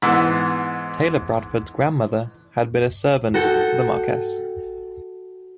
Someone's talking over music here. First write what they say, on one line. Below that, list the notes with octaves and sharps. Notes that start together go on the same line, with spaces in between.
Taylor Bradford's grandmother had been a servant for the Marquess.
G#2 E3 B3
F#4 A4 G5